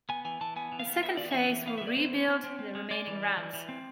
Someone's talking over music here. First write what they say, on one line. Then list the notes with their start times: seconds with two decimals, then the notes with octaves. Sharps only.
The second phase will rebuild the remaining ramps.
0.09 B3 G#5
0.25 E3 G#5
0.41 E3 A5
0.56 B3 G#5
0.72 E3
0.79 F5
0.87 B3
1.03 B3 E5
1.17 E3 D5
1.31 E3 E5
1.50 E3
1.66 B3 F5
1.78 E3 E5
1.87 D5
1.96 E3 C5
2.13 C4
2.28 C4
2.44 C4
2.59 C4
2.75 G#3
2.91 G#3 D5
3.07 E3
3.22 G#3
3.37 E3
3.53 E3
3.69 C4